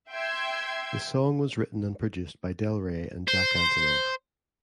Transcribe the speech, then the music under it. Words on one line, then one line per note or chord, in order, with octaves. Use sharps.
The song was written and produced by Del Rey and Jack Antonoff.
E5 G5 C6 E6 G#6
C5